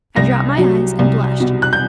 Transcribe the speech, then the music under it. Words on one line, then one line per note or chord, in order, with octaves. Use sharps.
I dropped my eyes and blushed.
C2 A#6
F#3
C2
B2
F#6
G6